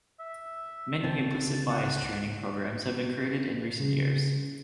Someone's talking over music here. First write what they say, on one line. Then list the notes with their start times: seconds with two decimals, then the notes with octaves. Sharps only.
Many implicit bias training programs have been created in recent years.
0.19 E5
1.04 C#2 C4 A5
1.71 F#5
3.80 C#3